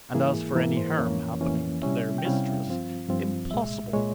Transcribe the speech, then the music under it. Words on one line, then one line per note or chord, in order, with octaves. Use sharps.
And as for any harm happening to their mistress--impossible!
G#2 E3 A#3 E4 G#4
G#2 E3 A#3 E4 A#4
C5
F2 E3 A#3 C#4 C#5
F2 E3 A#3 C#4
C3 G3 C#4 E4 E5
G5
C3 G3 C#4 E4 F5
G2 F3 C4 F4
G2 F3 C4 F4
C2 A#2 G#3 E5
A#2 G#3 C#5